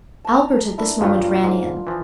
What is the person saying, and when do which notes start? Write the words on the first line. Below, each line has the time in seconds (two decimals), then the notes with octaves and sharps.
Albert at this moment ran in.
0.25 A5 A#5
0.78 D4 E4 A#4
1.01 G2 F#3 A3 F4
1.44 G#2
1.87 E3 F3